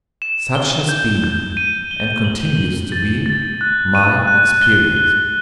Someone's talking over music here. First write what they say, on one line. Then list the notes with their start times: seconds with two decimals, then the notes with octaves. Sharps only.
Such has been, and continues to be, my experience.
0.22 E7
0.55 G7
0.89 G6
1.24 G6
1.57 D#7
1.91 G7
2.24 F#7
2.58 F#7
2.92 A6
3.26 A6
3.61 F#6
3.95 D#7
4.27 F#6
4.62 G7
4.96 G7